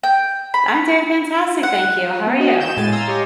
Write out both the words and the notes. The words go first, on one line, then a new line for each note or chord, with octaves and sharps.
I'm doing fantastic, thank you. How are you?
G5
B5
F#5
B3
F#4 D#5
G6 E7
A2 G#3 G#5 A6 D#7
F5 A#5 C6 E6
G4 C#5 D#5 F5 G#5